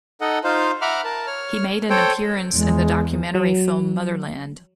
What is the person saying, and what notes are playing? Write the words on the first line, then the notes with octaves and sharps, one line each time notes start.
He made an appearance in the documentary film "Motherland".
D#4 A4 D#5 F#5
D#4 F4 C5 F5
E5 F#5 A#5 B5 D6 F6
A#4 A5
C#5 F6
A4 C5 C#5 G5
E2 G#3
F#3